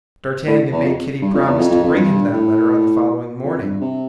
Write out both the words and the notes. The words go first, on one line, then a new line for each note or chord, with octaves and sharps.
D'Artagnan made Kitty promise to bring him that letter on the following morning.
A2
E2
F2
G2
F2
E2
F2
F2
F2
G2
A2
F2
G2
C3